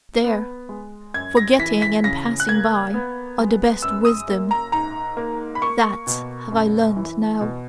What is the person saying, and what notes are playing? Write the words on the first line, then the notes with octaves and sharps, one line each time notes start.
There, forgetting and passing-by are the best wisdom: THAT have I learned now!
B3
G#3
F#2 G#6
A#6
E3 B6
B6
C#3 A#6
F#6
A#3 G#6
B3
G#3
F#2 E6
D#6
A#3
A#5
G#2 A#5
A#3
B5
A#3 C#6
B2
F#2
E3
B2